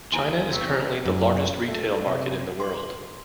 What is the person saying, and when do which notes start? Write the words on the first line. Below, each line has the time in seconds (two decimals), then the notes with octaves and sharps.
China is currently the largest retail market in the world.
0.12 D#2 E4 G#5 C6
0.52 E2 C3 C4 C#5 E5
1.05 F#2
1.68 A3
2.07 C3
2.60 C6